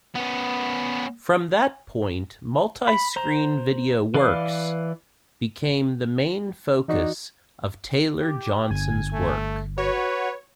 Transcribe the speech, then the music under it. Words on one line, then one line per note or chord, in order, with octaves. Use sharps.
From that point multi-screen video works became the main focus of Taylor-Johnson's work.
B3 C#4
B5
C5 A#5
E3 B4 D5 F5
E3 D#4 F#4 D5
G4
G1 G#5
A3
F#4 B4 C#5